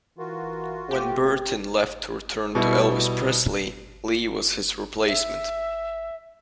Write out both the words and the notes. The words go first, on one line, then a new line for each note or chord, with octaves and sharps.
When Burton left to return to Elvis Presley, Lee was his replacement.
E3 F4 F#4 A#4
B2 A3 G4
B2 G3 E4
E5